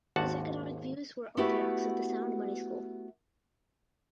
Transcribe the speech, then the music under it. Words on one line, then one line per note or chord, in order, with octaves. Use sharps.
His economic views were orthodox of the sound money school.
G#1 D#2 F#4 F#5 A5
A3 B3 E4 F#4 G4 B4